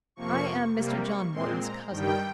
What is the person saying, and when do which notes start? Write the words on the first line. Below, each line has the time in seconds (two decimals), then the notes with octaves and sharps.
"I am Mr. John Morton's cousin."
0.16 F2 C3 F3 A#3 C#6
0.74 C3 G3 A#3
1.04 C#6
1.32 A#2 G#3 C4 C6
1.61 A#5
1.89 G2 D#3 G3 G5